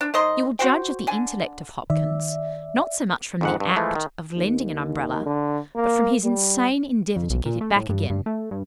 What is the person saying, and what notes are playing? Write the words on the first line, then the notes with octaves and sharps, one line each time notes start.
You will judge of the intellect of Hopkins, not so much from the act of lending an Umbrella, but from his insane endeavour to get it back again.
D4
D#3 C5 D#5 C6
F#4 C5 G5
D3 G#5
D#3 D5 E5
F2 G#2 F#5
G2
E3 F3 G#3 A3
D#3
D#2
D3
A#3
G3
F2
B1
A#2
A3
A2
G2
G2
A3
G2